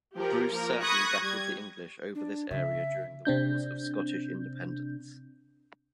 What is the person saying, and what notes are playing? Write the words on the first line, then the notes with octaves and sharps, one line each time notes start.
Bruce certainly battled the English over this area during the Wars of Scottish Independence.
F3 G4 A#4
F3 A#3 A#4
B5 C#6 D#6 F#6 G#6 A#6
G3 G#6
D4
C#3 E5
C3 C4 D4 G6